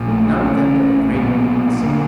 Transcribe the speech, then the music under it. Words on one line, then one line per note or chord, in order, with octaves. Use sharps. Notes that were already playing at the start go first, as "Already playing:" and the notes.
Now and then there were great movements.
Already playing: A#1 A#2
A3
A1 A2 C#4
B1 A#2 B3
D3 A#3